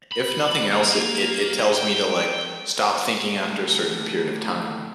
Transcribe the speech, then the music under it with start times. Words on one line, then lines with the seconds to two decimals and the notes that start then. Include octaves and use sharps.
if nothing else, it it it tells me to, like, stop thinking after a certain period of time.
0.12 B5
0.72 A#3
1.72 G5
3.43 D2 A2 A3